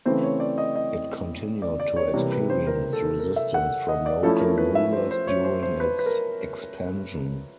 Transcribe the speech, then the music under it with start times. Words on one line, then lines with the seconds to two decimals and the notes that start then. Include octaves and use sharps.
It continued to experience resistance from local rulers during its expansion.
0.05 C#3 E3 A3 C4 C5
0.23 C#5
0.40 D5
0.58 D#5
0.76 D#5
1.62 D5
1.80 D5
1.96 C#5
2.14 C3 E3 G3 A#3 C#5
2.32 B4
2.50 C5
2.67 A#4
2.93 A4
3.20 A#4
3.36 E5
3.54 F#5
3.89 D#5
4.06 D5
4.23 F3 A3 C#4 E4 A4
4.40 A#4
4.58 B4
4.75 E5
4.93 C5
5.11 C5
5.27 C#5
5.45 C5
5.63 C5
5.80 B4
5.99 B4
6.06 A#4